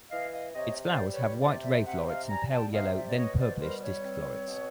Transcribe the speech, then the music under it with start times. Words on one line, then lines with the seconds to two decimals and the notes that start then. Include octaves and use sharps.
Its flowers have white ray florets and pale yellow then purplish disk florets.
0.11 E3 D#5 F5
0.33 D#5 F5
0.54 C3 C#5 D#5
0.84 C5 D5
0.98 G3
1.13 B4 C#5
1.42 C3 C5 D5
1.63 D5 E5
1.85 C3 E5 F#5
2.07 D#5 F5
2.29 G3 G#5 A#5
2.50 G5 A5
2.72 C3 D#5 F5
2.94 D5 E5
3.08 D5
3.15 B2 C#5 D#5
3.38 C5 D5
3.60 G3 A#4 C5
3.81 B4 C#5
4.03 C4
4.46 B2